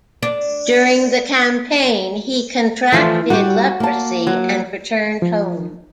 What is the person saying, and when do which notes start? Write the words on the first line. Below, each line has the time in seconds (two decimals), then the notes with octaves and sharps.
During the campaign he contracted leprosy and returned home.
0.23 D4
2.92 E3 F3 A3
3.30 G3 F#4 G4
3.80 A#3 A5
4.27 F#3
5.22 F3